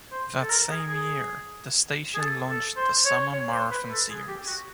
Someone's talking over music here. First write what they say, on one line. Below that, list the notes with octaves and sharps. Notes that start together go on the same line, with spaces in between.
That same year, the station launched the Summer Marathon Series.
C5
A4
A#4
G#4
G#4
G#4
A4
A4
C5
C#5
C#5
C5
B4
A4
G#4
G4
F#4